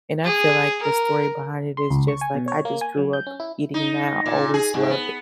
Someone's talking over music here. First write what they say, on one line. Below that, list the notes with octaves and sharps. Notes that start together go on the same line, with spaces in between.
and I feel like the story behind it is just like I just grew up eating that, always loved
G#4
A#4
C6
C#2
C#6
G#5
B2
C#5
A#3
G#5
F#3
G6
C#4
E4
D#4
A#2
G#4
G#2
B3